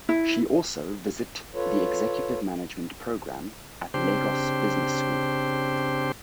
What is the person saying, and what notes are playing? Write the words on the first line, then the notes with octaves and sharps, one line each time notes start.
She also visit the Executive Management Programme at Lagos Business School.
E4
F4 A4 B4 C#5
C#3 C4 D4 G4 C5